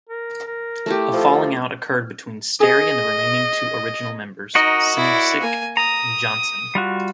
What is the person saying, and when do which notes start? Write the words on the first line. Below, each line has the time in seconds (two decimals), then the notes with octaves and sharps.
A falling-out occurred between Sterry and the remaining two original members Simcic and Johnson.
0.09 A#4
0.47 A#4
0.86 A3 E4 G4
1.14 F3 A4
2.60 G#4 D#5
4.55 D#4 F#4 A#4 D#5
4.96 E4 D5
5.42 A#3 G#5
5.77 A#5 D#6
6.75 G3 F4 F#4